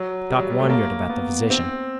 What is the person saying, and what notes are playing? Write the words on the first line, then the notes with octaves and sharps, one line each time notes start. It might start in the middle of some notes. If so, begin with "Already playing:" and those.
Doc wondered about the physician.
Already playing: F#3
G3
F#3
G3
A3
A#3
B3
C4